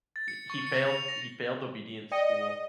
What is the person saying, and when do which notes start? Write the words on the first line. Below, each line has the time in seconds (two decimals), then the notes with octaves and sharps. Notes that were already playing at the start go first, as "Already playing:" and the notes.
i he failed he failed obedience school,
0.16 A6
0.28 C#7
0.50 C#6
0.67 C#7
0.86 F7
1.08 A#6
2.11 D5 D#5 G5